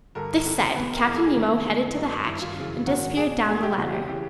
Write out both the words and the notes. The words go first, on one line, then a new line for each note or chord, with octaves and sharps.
This said, Captain Nemo headed to the hatch and disappeared down the ladder.
G2 D3 A#4
F2 D3
E2 B2 B4
A#4
G#2 E3 A#4
A4
G#4
E2 C3 D#3 E4
F2 D3
F#2 D3 D#4
G2 D#3 E4
F4
F#2 C#3 E3
G#2 D#3 F#4
E2 B2 G#4
E2 B2 G#4
G4
F2 C#3 E3 F#4
G4
C#3 E3 G4